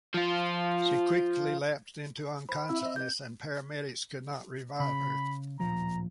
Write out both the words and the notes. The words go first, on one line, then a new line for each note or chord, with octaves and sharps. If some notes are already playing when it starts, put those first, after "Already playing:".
She quickly lapsed into unconsciousness and paramedics could not revive her.
F3 F4
C5 B5
C4 E4 E5
C5 D#5
G4 B4 D#5 G6
C#3 B5
D1 A#1 F3 A#5